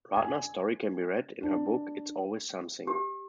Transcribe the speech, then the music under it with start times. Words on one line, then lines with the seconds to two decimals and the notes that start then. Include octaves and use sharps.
Radner's story can be read in her book, "It's Always Something".
0.16 G#5
1.43 D4
2.87 G4